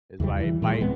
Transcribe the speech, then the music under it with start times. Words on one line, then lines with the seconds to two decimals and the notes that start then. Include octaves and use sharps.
is by by
0.20 E2 C#3 E3 G3
0.40 E3
0.62 A#2 E3 G#3
0.80 D1 G#3 B3 C4